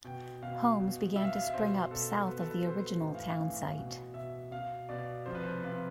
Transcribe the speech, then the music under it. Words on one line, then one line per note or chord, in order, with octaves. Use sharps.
Homes began to spring up south of the original townsite.
B2 G5
B2 F5
B2
B2 E5
F5
F5
E5
B2 C5
B2 A4
B2 B4
A4
B4
B2 C5
A2 E3
F5
F5
A2 E3
B2
B2 E5
B2 F5
B2 D5
C3 F3 C5
B4
C5
C3 F3 B4